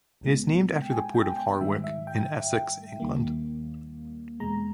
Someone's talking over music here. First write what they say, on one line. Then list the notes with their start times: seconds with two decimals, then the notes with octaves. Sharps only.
It is named after the port of Harwich in Essex, England.
0.21 B1 A#2 G#3 B3
0.82 G5
0.92 G#5
1.14 G5
1.37 G5
1.61 G#2 D#3 G3 E5
1.84 E5
2.07 G5
3.00 D#2 D#3 G3 A#3
4.40 E2 B2 G#3 A#5